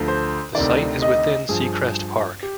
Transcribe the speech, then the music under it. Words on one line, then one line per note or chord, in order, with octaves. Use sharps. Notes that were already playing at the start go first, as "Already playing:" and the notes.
The site is within Seacrest Park.
Already playing: D2 D3 F3
C5
D2 C3 D#3 D5
D#5
G2 F3 G#4
G4